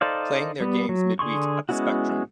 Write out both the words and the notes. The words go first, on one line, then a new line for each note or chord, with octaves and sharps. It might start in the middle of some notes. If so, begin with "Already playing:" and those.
Playing their games midweek at the Spectrum.
D#4 A4 C5 D5 F5
G3 B3
F#3
D3 G#4 C6 C#6
G#3 B3 C#4 E4 F#4